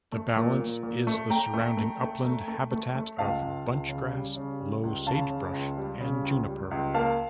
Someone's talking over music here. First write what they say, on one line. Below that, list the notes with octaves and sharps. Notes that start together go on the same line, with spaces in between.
The balance is the surrounding upland habitat of bunchgrass, low sagebrush, and juniper.
A3
A#2
A#2
A#2
A3
A3 G5 A#5
A3
A3
A3
A3
A3
A3
A3
C#2 F5 A5
C#2
C#2
C#3
G3
C#3
G3
C#2
C#3 F5 A5
C#3
C#2
G3
C#3
C#2
G3
C#2
A#3 F5 A5